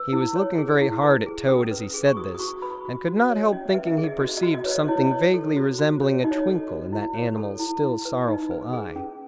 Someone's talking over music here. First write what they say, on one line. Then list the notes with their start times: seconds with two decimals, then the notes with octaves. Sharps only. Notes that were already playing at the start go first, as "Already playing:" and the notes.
He was looking very hard at Toad as he said this, and could not help thinking he perceived something vaguely resembling a twinkle in that animal's still sorrowful eye.
Already playing: B4 E6
0.13 E4
0.36 C#5
0.58 G#4
0.82 E4
1.03 B4
1.26 G#4
1.49 C#4 D#6
1.71 B4
1.94 G#4
2.06 C#6
2.17 F#4 D#6
2.35 D#6
2.39 F#4 C#6
2.62 B4 B5
2.85 F#4
3.08 F#4
3.30 C#5
3.52 C#4 D#5
3.69 E5
3.75 B4
3.87 E5
3.98 G#4
4.04 D#5
4.20 F#4 D#5
4.37 D#5
4.43 F#4
4.55 D#5
4.64 B4 C#5
4.71 D#5
4.88 E4 C#5
5.11 C#5
5.34 A4
5.56 F#4
5.79 F#4
6.01 C#5
6.24 D#4 D#5
6.31 C#5
6.38 D#5
6.47 A4
6.69 F#4
6.93 E4
7.14 C#5
7.37 A4
7.59 E4
7.82 E4
8.05 B4
8.28 D#4 D#5
8.51 B4
8.73 G#4
8.96 C#4